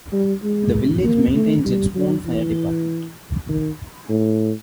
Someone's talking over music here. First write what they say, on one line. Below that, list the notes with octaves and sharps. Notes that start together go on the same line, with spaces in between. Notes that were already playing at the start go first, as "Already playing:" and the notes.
The village maintains its own fire department.
G3
G#3
A#3
A3
G3
F#3
E3
D#3
A2